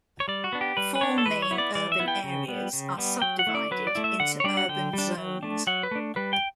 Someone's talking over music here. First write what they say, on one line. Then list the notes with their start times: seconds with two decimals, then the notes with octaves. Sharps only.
Four main urban areas are subdivided into urban zones.
0.20 C#5
0.28 G3 D5
0.44 F#4
0.53 B3 D4
0.61 G4
0.77 G3 B4
0.95 B4
1.01 B3 D4 C#5
1.18 A4
1.26 E3 B4
1.42 C#5
1.51 B3 E4
1.58 D5
1.75 E3 D5
1.92 E5
1.99 B3 E4
2.08 G5
2.24 C#3
2.48 G3 B3
2.73 C#3
2.98 G3 B3
3.22 F#3 G5
3.39 F#5
3.47 A3 E4
3.55 D5
3.71 F#3 B4
3.87 D5
3.95 A3 E4
4.04 E5
4.20 D3 F#5
4.40 C#5
4.44 G3 D4 D5
4.57 F#5
4.69 D3 G5
4.93 G3 D4
5.18 F#3
5.43 A3 D4
5.67 F#3 F#5
5.83 B4
5.91 A3 D4
6.16 G3 B4
6.33 G5